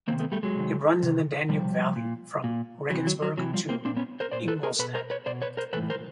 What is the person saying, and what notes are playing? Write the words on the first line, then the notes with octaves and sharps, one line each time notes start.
It runs in the Danube valley from Regensburg to Ingolstadt.
C3 D#3 A#3 C4
A3 B3
G3 A3
F#3 G#3
C3 D#3
C3 D#3
C3 D#3 F3 G3
A#2
A#2
C3 E3 F#3
F#3
F#3
C3 E3 F#3
F3 G3
A#3 C4
A#2 C4 D4
B3 C#4
A#4 C5
A#2 C5 D5
A4 B4
G#4 A#4
B2 A4 B4
A#4 C5
B4 C#5
B2 C5 D5
B4 C#5
A#4 C5
A2 E3 A4 B4
A#4 C5